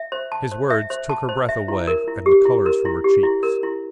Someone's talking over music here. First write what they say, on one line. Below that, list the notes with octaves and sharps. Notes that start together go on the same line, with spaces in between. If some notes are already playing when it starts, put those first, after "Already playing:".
His words took her breath away and the colour from her cheeks.
Already playing: E5
C5
A5
C5
E5
C5
A5
C5
E5
E4
A#4
E4
G4
E4
A#4
E4
G4
E4
A#4
E4